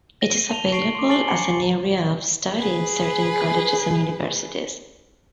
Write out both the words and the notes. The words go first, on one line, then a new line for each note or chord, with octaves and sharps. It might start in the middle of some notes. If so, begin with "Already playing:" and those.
It is available as an area of study in certain colleges and universities.
A#6 D#7
A5 F7 G7
C#6 C7 D7 F#7
C6 D6
G#5 A5 A6 C7 F#7 G7
G#5 A#5 D6 C#7
G#4 B4